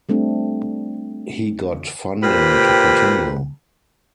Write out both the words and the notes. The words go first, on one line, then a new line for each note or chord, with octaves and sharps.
He got funding to continue.
G3 A3 C4 D4
A#2 G4 B4 C5 G5